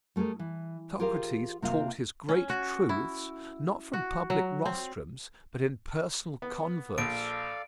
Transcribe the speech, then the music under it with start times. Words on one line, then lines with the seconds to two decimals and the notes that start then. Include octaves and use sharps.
Socrates taught his great truths, not from public rostrums, but in personal converse.
0.16 G3 A3 G4 G#4 A#4
0.39 E3
1.00 F4 G4 G#4 A#4 C5 F5
1.62 C3 A#3 C4 F4 E5 F5
2.29 C#4
2.50 F#4
2.89 E4
3.93 F#4
4.30 F#3
4.65 C4
6.42 B3
6.98 A#1 A4 D5 F5 D7